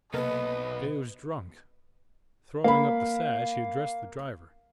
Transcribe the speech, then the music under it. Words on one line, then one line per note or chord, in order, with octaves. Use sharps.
Jehu's drunk.' Throwing up the sash he addressed the driver.
B1 C3 A#3 B3 A4 B4 D#5
A#3 F5 B5